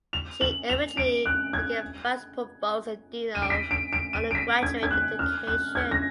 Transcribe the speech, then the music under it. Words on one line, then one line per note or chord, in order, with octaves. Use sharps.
She eventually became Vice Provost and Dean of Undergraduate Education.
F7
F#7
F7
D7
F#6
G#6
D#7
D7
B6
D7
D7
D#7
D7
B6
G#6
G#6
F#6
F6
F#6
G#6
A#6